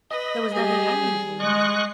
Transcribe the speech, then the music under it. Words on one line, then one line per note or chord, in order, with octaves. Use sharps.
There was nothing unusual in that.
B4 D#5
G3 G4 G#4
G#3 D#5 C#6 F#6 C7